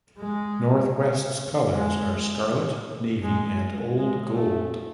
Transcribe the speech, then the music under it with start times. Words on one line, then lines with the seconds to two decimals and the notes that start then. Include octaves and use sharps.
Northwest's colors are scarlet, navy, and old gold.
0.18 G#3
1.71 G#3
3.22 G#3
3.98 G#3
4.36 A3